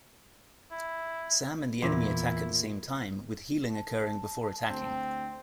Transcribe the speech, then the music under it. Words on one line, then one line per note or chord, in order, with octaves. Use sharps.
Sam and the enemy attack at the same time, with healing occurring before attacking.
E4
E2 A#2 E4
A5
D2 C4